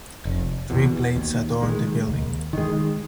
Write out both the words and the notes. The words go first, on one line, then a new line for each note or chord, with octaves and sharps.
Three plates adorn the building.
F1
E2 B2
D#2
D#3 G#3
D#2
D#3 G#3